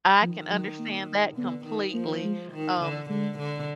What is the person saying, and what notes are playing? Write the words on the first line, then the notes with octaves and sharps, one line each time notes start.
I can understand that completely. Um,
D#3 F3
F#3
A#3
D3 B3
D#3
F3 A#3
G#3
D#3
D3
D3 G#3
D3